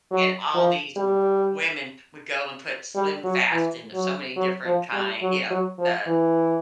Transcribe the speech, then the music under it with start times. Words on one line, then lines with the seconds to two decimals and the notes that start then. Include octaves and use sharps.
And all these w women would go and put SlimFast in so many different kind you know, the
0.11 F#3
0.54 F3
0.96 G3
2.96 G3
3.24 F#3
3.52 E3
3.94 F#3
4.37 F#3
4.65 F3
4.93 G3
5.22 F#3
5.50 F#3
5.78 F3
6.07 E3